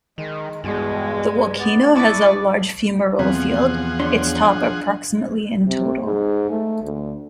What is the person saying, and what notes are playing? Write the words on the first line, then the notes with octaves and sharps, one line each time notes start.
The volcano has a large fumarole field, its top approximately in total.
D#3 G#3
E2 G2 B2 G#3
B3 D5
D4 E4 D5 C#6 D#6
E2 C3 F3 G#4 F#5
D4 C#5 C6
C3
G#2
A3
D2